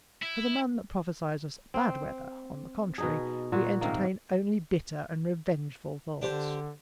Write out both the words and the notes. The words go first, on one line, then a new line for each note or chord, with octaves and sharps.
For the man that prophesies us bad weather, on the contrary, we entertain only bitter and revengeful thoughts.
E4
C4
B2 D#4 G#4
A#2 F#4
G#2 C3 D#3 A#3
D3 D4 G4 C5